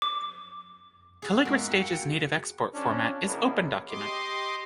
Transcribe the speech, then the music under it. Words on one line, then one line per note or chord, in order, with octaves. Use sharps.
Calligra Stage's native export format is OpenDocument.
D6
E4 F#4 G#4
E2 G#2 A#3
F#4 G5 C#7
F2 C#4 D4
E2 B2 A#3 C#4 E4 G#4
G4 D#5 C6 D6